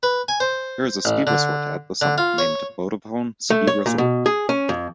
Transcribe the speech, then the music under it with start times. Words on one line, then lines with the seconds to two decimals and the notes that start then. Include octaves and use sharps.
There is a ski resort at the summit, named Vodafone Ski Resort.
0.03 B4
0.28 G#5
0.40 C5
1.05 A1
1.27 D3
2.01 D3
2.18 F4
2.38 C#5
3.50 A3
3.67 C#5
3.86 A#2
3.98 B2
4.26 G#4
4.49 C#4
4.69 F2